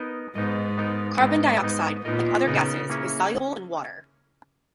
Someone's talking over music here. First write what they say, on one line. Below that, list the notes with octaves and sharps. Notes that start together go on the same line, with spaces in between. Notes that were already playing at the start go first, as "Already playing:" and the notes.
Carbon dioxide, like other gases, is soluble in water.
Already playing: B3 D#4 A#4 D#5
G#2 B3 D#4 A#4 D#5
B3 D#4 A#4 D#5
G#2 B3 D#4 A#4 D#5
G#2 B3 D#4 A#4 D#5
A#2 B3 D#4 A#4 D#5
C#3 B3 D#4 A#4 D#5
A#3 C#4 E4 G#4 C#5